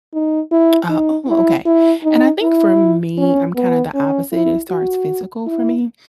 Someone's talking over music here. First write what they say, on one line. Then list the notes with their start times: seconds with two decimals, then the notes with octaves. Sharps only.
Oh, oh, okay. And I think for me, I'm kinda the opposite. It starts physical for me.
0.14 D#4
0.52 E4
0.90 D#4
1.27 E4
1.66 E4
2.03 D#4
2.42 E4
3.18 C#4
3.56 B3
3.94 C#4
4.32 E4
4.70 F#4
5.46 E4